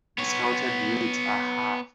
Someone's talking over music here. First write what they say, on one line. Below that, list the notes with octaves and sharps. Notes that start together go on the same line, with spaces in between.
Discounted rates are half.
B3 C#5